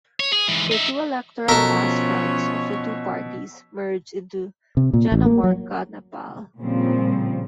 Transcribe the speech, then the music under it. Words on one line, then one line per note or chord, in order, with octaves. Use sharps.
The two electoral mass fronts of the two parties merged into Janamorcha Nepal.
C#5
G#4
G#2 E3
D#4 E5
B2 F3 C#4 A4 A#4 C#5 E6 B6
C3
A#2
A1
A#3
F#3
A#2 C#3 F3 G3 C4